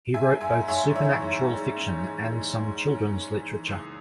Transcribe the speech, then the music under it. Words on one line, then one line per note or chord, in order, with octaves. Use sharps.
He wrote both supernatural fiction and some children's literature.
G#3 E5 G#5
G#2 E5 G#5
G#2 C#5 E5
E3 C#5 E5
G#2
G#3
C#4
E3
G#3
G#2
C#4
G#2
E3
C#2